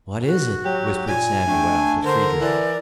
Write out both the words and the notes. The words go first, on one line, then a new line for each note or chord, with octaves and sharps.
"What is it?" whispered Samuel to Friedrich.
F#4
F#3 G4
A#2 G#5
A3 D4 G5
D3 A#4 C5
E3 D5